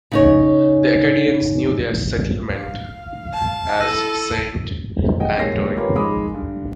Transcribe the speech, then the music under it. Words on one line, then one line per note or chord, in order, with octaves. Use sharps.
The Acadians knew their settlement as Saint Antoine.
C#3 D#4 C#5
F5
A5
E4 A4 E6 A#6 D#7
G#4 D#5 F#5 G5
D#1 G#3 A#3 C#5 A#6 C7
F4 G4 A#4 B4 C#5
D#3 F3 G#3 B5 D6 D#6
G2 D3